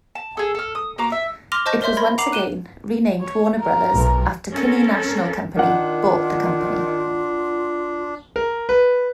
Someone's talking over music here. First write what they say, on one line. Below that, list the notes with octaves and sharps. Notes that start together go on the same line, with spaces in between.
It was once again renamed Warner Brothers after Kinney National Company bought the company.
A5
G#4 A4
A4 F6
D#6
A#3 F#4 A#5 D6
E5
C6 D6 F6 A#6 F7
C5 D#5 A5 C#6 G6 A#6
A#4 C#5 E5 C6 G6
A#4 B5 C6 G#6 A#6
F#5 A#5 D6 C7 F7 F#7
F#6 D#7 E7 G7
C#5
A#4
B1
C4 C#4 A4 A#4
D#3 D4 F4 A#4 F#5
A#4
B4